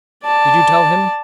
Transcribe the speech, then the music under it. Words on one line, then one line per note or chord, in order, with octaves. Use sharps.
Did you tell him?
D5 A5